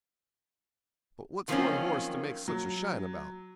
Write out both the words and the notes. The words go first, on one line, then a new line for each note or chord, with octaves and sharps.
But what's one horse to make such a shine about?'
D#3 F3 F#3 A#3 C4 C#4
F#3